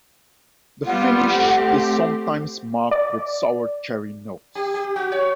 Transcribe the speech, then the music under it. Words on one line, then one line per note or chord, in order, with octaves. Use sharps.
The finish is sometimes marked with sour-cherry notes.
G3 B3 F4 F#5
A3 C4 G4
D5
G4
G4
F#4
C#5